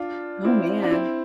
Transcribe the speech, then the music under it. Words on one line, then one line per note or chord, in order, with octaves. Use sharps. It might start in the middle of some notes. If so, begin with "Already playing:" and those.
Oh man.
Already playing: D4 F4
C4 E4
D4
C4 E4